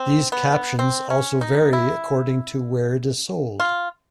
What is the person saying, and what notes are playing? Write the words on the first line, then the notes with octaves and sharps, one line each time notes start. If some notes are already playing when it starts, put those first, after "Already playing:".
These captions also vary according to where it is sold.
Already playing: C4
B3
C4
C#4
D#4
E4
F4